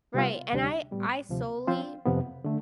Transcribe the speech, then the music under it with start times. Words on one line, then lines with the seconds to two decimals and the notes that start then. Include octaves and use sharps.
Right, and I I solely
0.14 C3 G3 B3 F4
0.53 D2 C3 G3 D4 G4
0.91 A2 G3 B3
1.29 D2 C3 F3
1.67 F3 C4 F4 C5
2.05 F2 C3 F3 B3
2.44 D3 A3